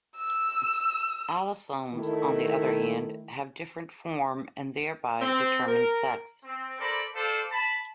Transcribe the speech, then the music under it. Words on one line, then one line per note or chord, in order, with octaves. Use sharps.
Allosomes, on the other hand, have different form and thereby determine sex.
E6
D#3 A3 E4
C4
A#4
C4
A4 A#4 C5 D5 B5
A4 C5 D5 F5
A5 B5